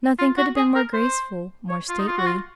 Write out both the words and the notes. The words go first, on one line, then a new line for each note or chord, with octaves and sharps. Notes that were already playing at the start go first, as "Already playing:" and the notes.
Nothing could have been more graceful, more stately.
F4
F#4
G#4
A#4
C5
C#5
F4
D#4
F4
F#4
F4